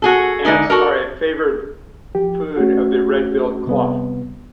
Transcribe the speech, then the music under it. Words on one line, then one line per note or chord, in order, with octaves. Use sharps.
Ants are a favoured food of the red-billed chough.
F#4 G#4 A4
D3 G#3 D#4 E4
F#4 A4 A#4
F3 G4
A3 C#4 F#4
C3 G3 B3